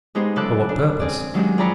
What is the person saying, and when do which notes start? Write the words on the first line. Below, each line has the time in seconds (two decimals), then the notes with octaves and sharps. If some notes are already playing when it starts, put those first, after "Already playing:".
"For what purpose?"
0.15 G#3 B3 D#4 G4 G#4 C5
0.36 F#2 C#3 A4 A5 D6 F#6
0.69 D4
1.00 C4 G#4 D5
1.34 D#3 F#3 G#3 D4 G4 G#4
1.58 F2 G#4 D5 A#5 B5 C#6